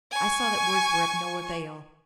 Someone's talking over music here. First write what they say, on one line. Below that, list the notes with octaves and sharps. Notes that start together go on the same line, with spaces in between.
I saw that words were of no avail.
G#5 C#6